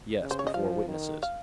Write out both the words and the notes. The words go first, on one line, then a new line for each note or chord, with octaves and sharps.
"Yes, before witnesses."
C#3
C5
C#5
D#5
F3 F5
D#3
F5